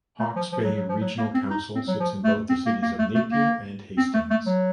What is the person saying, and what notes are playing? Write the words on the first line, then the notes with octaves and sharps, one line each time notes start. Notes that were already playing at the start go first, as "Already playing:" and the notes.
Hawke's Bay Regional Council sits in both the cities of Napier and Hastings.
A3
F3
F3
F#3
F#3
F3
F#3
A#3
C4
D#4
C4
F#3
F3
A3
C4
A#3
A#3
A3
A3
A#3
C4
A3
A3
F#3